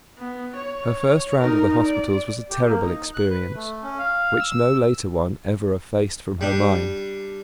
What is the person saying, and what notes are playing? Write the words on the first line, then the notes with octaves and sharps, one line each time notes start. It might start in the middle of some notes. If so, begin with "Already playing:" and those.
Her first round of the hospitals was a terrible experience, which no later one ever effaced from her mind.
B3
C#5
D#4 A#4
D5
G4
A#3
D#4
F#6
B4
A3
C#4
F5
E6
G3 D4